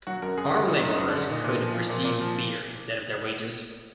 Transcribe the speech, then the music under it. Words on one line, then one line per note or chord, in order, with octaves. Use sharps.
Farm labourers could receive beer instead of their wages.
F#3 F#4
F#2 A#4
F#2 G#4
D3 F#4
F#3 D#4
F#2
D#4
F#2
D4
D3
A#2 D#4
A#2
F3
F3
A#2
A#2
F3